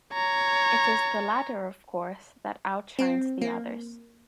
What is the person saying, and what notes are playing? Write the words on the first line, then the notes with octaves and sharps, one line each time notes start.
It is the latter, of course, that outshines the others.
C#5 A#5
C4
A#3